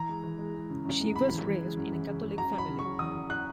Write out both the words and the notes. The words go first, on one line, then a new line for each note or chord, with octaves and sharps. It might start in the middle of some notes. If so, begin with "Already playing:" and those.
She was raised in a Catholic family.
Already playing: E3 A#5
G#3
E3
G#3
G#3
C#3
F#2
G#3
C#3 B5
E3
E3
G#3
F#2
E3
C#3
F#2
F#3 A#5
F#3 B5
C#3
C#6
F#3
E2 D#6
E2
F#6